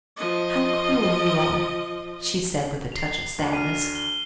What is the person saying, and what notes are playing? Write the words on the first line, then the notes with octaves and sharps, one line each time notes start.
"How cruel you are!" she said, with a touch of sadness.
F3 D#5
C7 F7
D2 D4
F6 D#7
G7